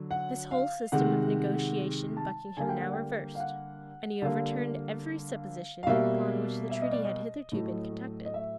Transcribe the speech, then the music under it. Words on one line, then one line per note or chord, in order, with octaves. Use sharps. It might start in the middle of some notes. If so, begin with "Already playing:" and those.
This whole system of negotiation Buckingham now reversed; and he overturned every supposition upon which the treaty had hitherto been conducted.
Already playing: D3 F#3
F#5
F5
C3 D#3 G#3 F#5
A5
D3 G3 A#3 G#5
G5
F#5
G5
F5
F#5
D3 G3 A#3 F5
F5
B2 G3 A#3 E5
E5
D#5
D5
D#5
A2 F#3 A3
D#5
E5